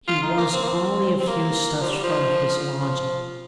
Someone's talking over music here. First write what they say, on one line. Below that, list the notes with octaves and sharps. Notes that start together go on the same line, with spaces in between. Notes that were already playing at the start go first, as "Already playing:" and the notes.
He was only a few steps from his lodging.
F4
D#4
A#3
C4
A#3
C4
C4
A#3
F3
G3
F3
F3